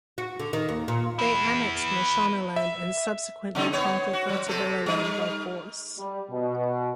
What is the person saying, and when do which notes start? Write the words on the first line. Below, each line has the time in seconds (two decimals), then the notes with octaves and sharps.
They annexed Mashonaland and subsequently conquered Matabeleland by force.
0.18 F#4
0.40 D3
0.53 D#3
0.69 D#2
0.88 A#2
1.19 B3 E4
2.56 E5
3.55 C#3 C4 D#4
3.73 B3 C#5
4.13 F#4
4.29 F#3
4.47 C3 A4 C5
4.86 G3 D#4
5.98 G3
6.30 B2